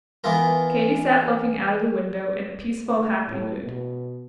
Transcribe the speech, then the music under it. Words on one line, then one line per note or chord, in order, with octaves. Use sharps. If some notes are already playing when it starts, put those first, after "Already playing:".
Katy sat looking out of the window in a peaceful, happy mood.
E3 B3 E4 F4 A#4
A3
A2
B2